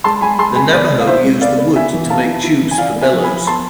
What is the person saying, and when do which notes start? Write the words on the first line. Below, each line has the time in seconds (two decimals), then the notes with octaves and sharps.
The Navajo use the wood to make tubes for bellows.
0.04 G#3 A5 C6
0.21 G#3 G#5 B5
0.38 G#3 A5 C6
0.56 G#3 G#5 B5
0.72 B3 B4 D5
0.91 G#3
1.00 F5
1.07 E4 C5 E5
1.24 G#3
1.41 B3 D5 F5
1.58 B3
1.75 B3 E5 G#5
1.93 E3
2.09 B3 F5 A5
2.27 E4
2.44 E4
2.61 E3
2.71 G#5
2.78 E4 D5 F5
2.96 B3
3.01 E5 G#5
3.13 F3
3.23 G#5 B5
3.30 F3
3.47 B3 A5 C6